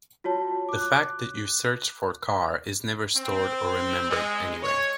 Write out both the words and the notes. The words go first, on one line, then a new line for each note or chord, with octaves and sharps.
The fact that you searched for “car” is never stored or remembered anywhere.
F4 F#4 C#5 A5
D6 F#6
C4
G#3
C#5